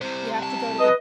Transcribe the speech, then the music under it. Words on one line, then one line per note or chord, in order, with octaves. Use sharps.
You have to go to the
C2 C3 C5
A5
B4 D#5